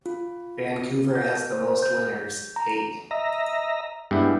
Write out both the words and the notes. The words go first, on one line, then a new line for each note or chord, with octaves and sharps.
Vancouver has the most winners, eight.
F4
G6
C5
G6
A#5
D#5 E5 A#5
G2 G#3 B3 E4 G4